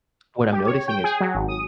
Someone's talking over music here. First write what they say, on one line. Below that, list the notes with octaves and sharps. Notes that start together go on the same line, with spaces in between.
what I'm noticing is,
G4
C#5
G5
G#4
F#3
G#1
D#6